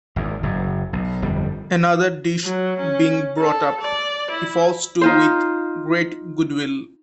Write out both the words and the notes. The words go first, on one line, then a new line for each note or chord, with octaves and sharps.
Another dish being brought up, he falls to with great goodwill.
G#1 E2
F#1 F#2
B1
G1 F2 G3
F#3
C#4
A4
D5
E4
D#4 F4 C5